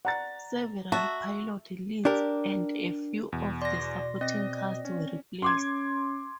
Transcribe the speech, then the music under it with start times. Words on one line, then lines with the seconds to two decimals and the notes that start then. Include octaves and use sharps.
Several pilot leads and a few of the supporting cast were replaced.
0.05 D5 F#5 A#5 A6
0.92 F#4 E5 A5
2.05 D4 G4 A#4
3.32 E2 B2
3.62 D5 C6 A#6
4.21 C4 D#5 A#6
4.85 C#4
5.42 C#4 C6 D6 G#6